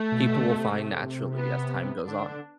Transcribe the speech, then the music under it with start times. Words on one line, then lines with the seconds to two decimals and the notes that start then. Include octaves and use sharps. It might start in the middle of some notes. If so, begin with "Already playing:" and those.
people will find naturally as time goes on.
Already playing: A3
0.12 B2
0.36 D3
0.44 C3
0.53 B2
0.61 C3
1.34 B3
2.07 D3 D4